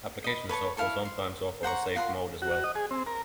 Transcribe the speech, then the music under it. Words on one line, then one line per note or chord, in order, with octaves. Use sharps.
Application software sometimes offers a safe mode as well.
D#5 B5
B4 C#5 A5 C#6
E4 F5 A5 C#6
C6
C5 F#5 A#5 C#6
F4 F#5 A#5 C6
F#4
D#5
G#4
C4
A#4